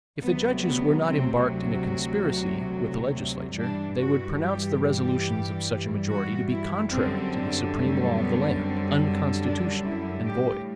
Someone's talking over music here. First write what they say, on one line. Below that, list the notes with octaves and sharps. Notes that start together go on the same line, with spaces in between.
If the judges were not embarked in a conspiracy with the legislature, they would pronounce the resolutions of such a majority to be contrary to the supreme law of the land, unconstitutional, and void.
D2 C3 F#3 B3
B3
C4
F#4
G2 E3 G3 D4
F#4
G4
G4
F#4
E4
F#2 D3 G3 C4
A3
B3
C4
D4
E4
A2 G3 G4